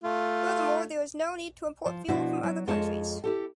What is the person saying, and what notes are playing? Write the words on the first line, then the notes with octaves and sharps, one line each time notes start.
Furthermore, there is no need to import fuel from other countries.
A3 F4
F3
B2 F3 D4 E4 F#4
F#3
F2 G#3 F4 C#5 A5
E4 G4 A4